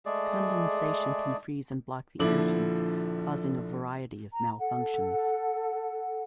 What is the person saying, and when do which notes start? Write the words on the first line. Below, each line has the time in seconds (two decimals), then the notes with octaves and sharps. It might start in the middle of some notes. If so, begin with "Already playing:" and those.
Condensation can freeze and block the air tubes causing a variety of malfunctions.
0.06 G#3 A3 G#4 D5
2.19 A#1 D3 F3 E4 D6 F#7
4.33 A#5
4.59 A4 F#5